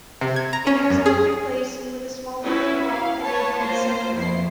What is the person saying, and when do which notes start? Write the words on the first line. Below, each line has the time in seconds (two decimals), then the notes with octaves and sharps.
It has a market place with a small market hall and a health centre.
0.21 C3
0.36 G#6
0.53 A#5
0.67 C#4
0.90 F#2
1.06 G#4
2.43 C#4 E4 F#4 B4
2.92 F5
3.23 B4 C#5 A5
3.58 A#3 F4 C5
4.14 F2 B2 E4 C7